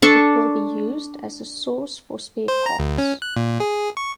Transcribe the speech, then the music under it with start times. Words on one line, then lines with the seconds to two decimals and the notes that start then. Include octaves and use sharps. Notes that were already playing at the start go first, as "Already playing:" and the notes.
It will be used as a source for spare parts.
0.02 D4 A4 C#6
2.48 C5
2.66 A#5
2.79 D2
2.98 C#4
3.22 F#6
3.37 A#2
3.60 G#4
3.97 C#6